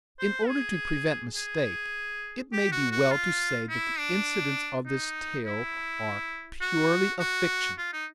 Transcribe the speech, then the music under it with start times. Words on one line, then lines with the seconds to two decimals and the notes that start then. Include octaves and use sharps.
In order to prevent mistake, it may be well to say that the incidents of this tale are purely a fiction.
0.19 C5
0.49 G#4
1.36 G#4
2.53 G4
2.72 F#4
2.92 F#4
3.12 F4
3.69 E4
3.99 D4
4.87 D#4
5.45 E4
6.61 F#4
7.20 F#4
7.78 F4
7.93 D#4